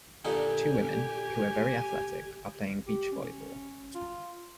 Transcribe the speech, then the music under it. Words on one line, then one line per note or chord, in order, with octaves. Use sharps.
Two women, who are very athletic, are playing beach volleyball.
A#2 D3 D#4 G4 G#5
G4
C#4
F4